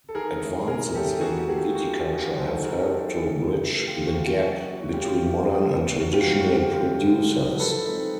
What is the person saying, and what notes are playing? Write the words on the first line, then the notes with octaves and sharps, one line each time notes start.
Advances in viticulture have helped to bridge the gap between modern and traditional producers.
A4
D#3 G#4 A#4
G#3 C#4 E4
D#3 G#4 A#4
G#3 C#4 E4 G4 A4
F3 F#4 G#4
G4 A4
A#3 D4 G#4
F4 G4
F3 F#4
A#3 D4
F4
F#3 F#4
C5
A4 B4
B3 D#4
G#4 A#4
F#3 G4 A4
B3 D#4
C#3
F3 A3
C#3 F4 G4
F#4
F3 A3 F4 G4
G4
F#3 F#4
A#3 C#4 E4
F#4
F#3 F4 G4
A#3 C#4 E4
E3
G3 A#3 C#4 E4
E3 F#4
F4 G4
G3 A#3 C#4 E4
F#4
D3 F4 G4
F#3 A3
D3
F#3 A3
F3 A4 B4
G#3 C4 D#4